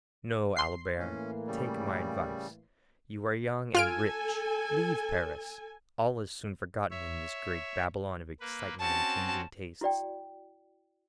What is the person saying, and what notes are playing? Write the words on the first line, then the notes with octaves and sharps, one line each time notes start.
No, Albert, take my advice. You are young and rich--leave Paris--all is soon forgotten in this great Babylon of excitement and changing tastes.
C6 C7
A2 E3 A#3 C#4
C#3 G3
F4 A4 G#5 F6 D7
C#5 E5
A#3 B4
C4 C#4 F#4 A5
E4 F#4 D5 G5